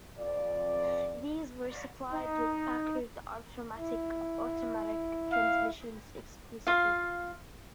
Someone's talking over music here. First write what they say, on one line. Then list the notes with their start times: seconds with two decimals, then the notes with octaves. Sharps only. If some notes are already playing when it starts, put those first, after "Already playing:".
These were supplied with Packard "Ultramatic" automatic transmissions - exclusively.
0.17 F2 D5
2.13 D#4
3.78 E4
5.32 F5
6.67 F4 F5